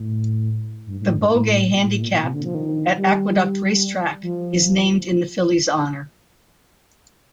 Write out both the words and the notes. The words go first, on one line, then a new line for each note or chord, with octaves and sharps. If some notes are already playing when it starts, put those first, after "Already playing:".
The Beaugay Handicap at Aqueduct Racetrack is named in the filly's honor.
Already playing: A2
G2
A2
G2
A2
A#2
A2
A2
A#2
A#2
C3
D3
F3
D#3
G3
F3